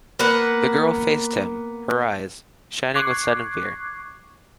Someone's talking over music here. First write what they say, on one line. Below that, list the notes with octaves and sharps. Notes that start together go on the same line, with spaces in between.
The girl faced him, her eyes shining with sudden fear.
A#3 B3 F#5
C#6 D6 F#6 G#6 C7